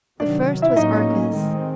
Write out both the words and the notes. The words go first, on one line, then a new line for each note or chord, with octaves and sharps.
The first was Arcas.
C3 D#3 F#3 D4 D5
E4 E5
A2 F#3 A#3 C#4 D#4 D#5
D#3 G#3 C4